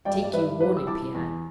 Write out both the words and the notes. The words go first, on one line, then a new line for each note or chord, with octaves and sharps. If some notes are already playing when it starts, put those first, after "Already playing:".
Take you warning, Pierre!
G2 D5 G5
D5
G2 B4 E5
G3 B4
E6
E4 A5 D6
E2